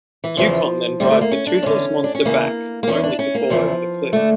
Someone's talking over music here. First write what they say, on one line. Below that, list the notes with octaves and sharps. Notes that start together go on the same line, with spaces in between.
Yukon then drives the toothless monster back, only to fall over the cliff.
E3
E2 C#3 E3 F3
D2 D3 G3
A3
A#3
C#4
D4
E2 D3 C#4
D4
C#4
E2 C#3 E3 A#3
A#3
E2 E3 C#4
D4
C#4
A#3
E2 C#3 E3 F3
D3 A3